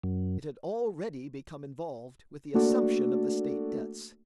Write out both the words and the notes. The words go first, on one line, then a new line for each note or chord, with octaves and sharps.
It had already become involved with the assumption of the state debts.
F#2
A3 A#3 D4 F#4 A4 D5